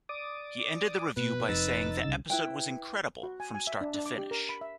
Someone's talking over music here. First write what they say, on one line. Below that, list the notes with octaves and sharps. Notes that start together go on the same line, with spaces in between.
He ended the review by saying the episode "was incredible, from start to finish".
D5 D6 D#6
B2 B4
F1 F2 D#4 E6 A6
C2 C#3
E4 B4 G5
F#4
G#5
G#5
E5
D4
D4
D6
G4
A#4
B5
E5